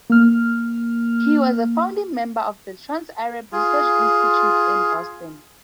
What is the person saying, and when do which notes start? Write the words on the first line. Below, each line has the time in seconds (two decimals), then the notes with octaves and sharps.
He was a founding member of the Trans-Arab Research Institute in Boston.
0.10 A#3 F6
3.52 F4 G#4